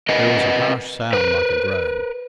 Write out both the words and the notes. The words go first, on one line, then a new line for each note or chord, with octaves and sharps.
There was a harsh sound like a groan.
C4 A#4 B4 D#5 F#5 G#5
A#4 B4